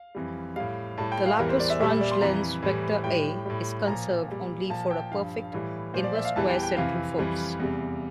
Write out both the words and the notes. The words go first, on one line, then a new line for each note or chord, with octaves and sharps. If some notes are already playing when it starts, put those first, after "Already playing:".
The Laplace-Runge-Lenz vector A is conserved only for a perfect inverse-square central force.
Already playing: F5
F2 E3 G3
A2 G3 F5
A2 G3 A5
G5
F5
E2 E3 G3 A#4
C5
D5
E5
A#2 G3 E5
E5
D5
C6
F2 E3 G3 A#5
A2 E3 G3
A2 G3 G5
A2 G3
A#2 F3 A#5
A#2 G3
A#2 F3 A5
G5
G2 F3 F5
A2 E3 G3
A#2 F3 C5
D5
E5
F5
E2 E3 G3 A5
G5
G5
F2 C3 E3 F5
F2 E3 G3
E2 C3 G3